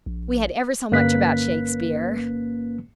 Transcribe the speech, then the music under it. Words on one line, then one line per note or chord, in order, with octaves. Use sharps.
We had ever so much about Shakespere.
A#1
G1 A#3 C#4 B4 F#6 B6